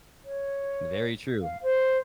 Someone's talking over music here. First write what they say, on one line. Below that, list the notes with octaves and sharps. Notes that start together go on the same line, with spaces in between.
Very true,
C#5
F5
C5